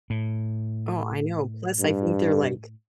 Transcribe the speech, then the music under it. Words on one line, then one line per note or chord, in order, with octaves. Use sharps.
Oh, I know, plus, I think they're, like,
A2
G2